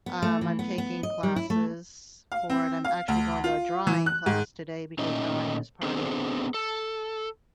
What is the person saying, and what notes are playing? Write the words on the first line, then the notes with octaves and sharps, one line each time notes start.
Um, I'm taking classes for it. I'm actually going to a drawing class today because drawing is part of
B3
A3
E3
B3
B3
D#5
G3
E4
A3
F5
C4
F5
D2
F4
E3
F#6
G#2
A#2 A3 C#4 D#4 D#5
B3 C4 D4 G#4 A4 C5
A4